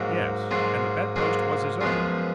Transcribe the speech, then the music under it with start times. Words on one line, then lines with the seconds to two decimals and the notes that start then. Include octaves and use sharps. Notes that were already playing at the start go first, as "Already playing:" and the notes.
Yes! and the bedpost was his own.
Already playing: G#2 F#3 A#3
0.51 G#2 F#3 A#3 F4 G#4
1.16 G#2 F#3 A#3 F4 G#4
1.81 F#2 F3 G#3 B3 F4 G#4